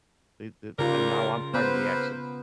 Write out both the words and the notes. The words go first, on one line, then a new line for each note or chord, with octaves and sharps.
Th th And now I'm part of the action.
D#2 C#3 G3 F4 A#4
A#3 B3 B4 C5